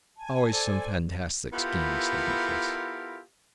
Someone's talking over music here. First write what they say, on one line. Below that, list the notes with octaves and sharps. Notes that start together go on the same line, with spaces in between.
"Always some fantastic schemes," said Nicholas.
G#5 A5
A4 C5 D5
B3 E4 F4 G4 A4 A#4